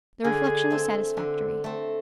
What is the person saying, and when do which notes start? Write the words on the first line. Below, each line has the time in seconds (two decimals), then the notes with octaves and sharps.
The reflection was satisfactory.
0.24 D3 G#4
0.70 A3 C4
1.17 D3
1.64 A3 C4